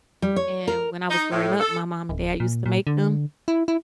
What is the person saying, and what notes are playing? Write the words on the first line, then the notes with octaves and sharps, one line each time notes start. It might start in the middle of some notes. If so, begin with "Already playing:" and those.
and when I was growing up my mom and dad used to make them
G3
C#5
A#4
D#4
A2
A4
D1
A#2
A#2
D3
E4
E4